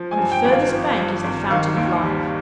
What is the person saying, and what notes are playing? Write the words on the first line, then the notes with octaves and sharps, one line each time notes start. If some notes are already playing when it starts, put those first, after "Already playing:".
On the furthest bank is the fountain of life.'
Already playing: F3
G#5
G2
G5
G#1
F5
F3
G2
G#1
D#3 F5
D#2
G3